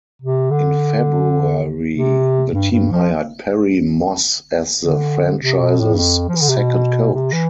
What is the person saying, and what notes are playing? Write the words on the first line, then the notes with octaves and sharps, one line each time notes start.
In February, the team hired Perry Moss as the franchise's second coach.
C3
D3
C3
G2
G2
F3
D3
C3
B2
A2
G2
F2
F3
E3
D3
C3
B2
C3
E3